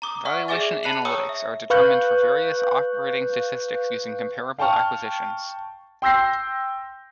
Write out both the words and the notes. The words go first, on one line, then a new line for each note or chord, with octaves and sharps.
Valuation analytics are determined for various operating statistics using comparable acquisitions.
A#5 D6 D#6
D5 E5 F#5 C#6 F6
G#4 D5 E5 G#5 D6 A6
A5 B5 F#6 C7 C#7 F#7
C#5 G5 A#5 C#6 D#6 E6
E5
B4 F5 C#6 F#6 G6
F5 G5 A5 C#6 F6
G5 C6 E6 G6 A#6 C7